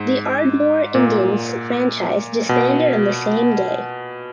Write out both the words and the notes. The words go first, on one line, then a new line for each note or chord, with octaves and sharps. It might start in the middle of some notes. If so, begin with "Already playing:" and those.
The Ardmore Indians franchise disbanded on the same day.
Already playing: G#2
A#2
B2